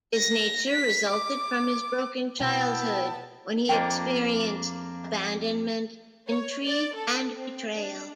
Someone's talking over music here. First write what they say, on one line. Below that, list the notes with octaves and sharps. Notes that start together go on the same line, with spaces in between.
His nature resulted from his broken childhood, when he experienced abandonment, intrigue and betrayal.
A#6
B6
D6
B2 B3 E4 G5 A5
F2 A#3 D4 C5 D#5 G5
C#5
D5
A4
C4
D4